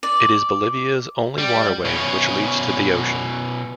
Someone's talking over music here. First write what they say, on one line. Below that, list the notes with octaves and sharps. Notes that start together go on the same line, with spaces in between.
It is Bolivia's only waterway which leads to the ocean.
D5
G3
B2 C#4